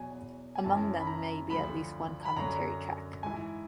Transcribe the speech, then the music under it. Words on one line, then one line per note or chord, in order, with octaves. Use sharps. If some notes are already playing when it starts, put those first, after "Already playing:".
Among them may be at least one commentary track.
Already playing: E2 B2 F#3 G#5
G#5
F#2 C#3 E3 A5
B5
A#5
D2 D3 F3 B5
B5
F#2 D3 F#3 A#5
G#2 E3 G#5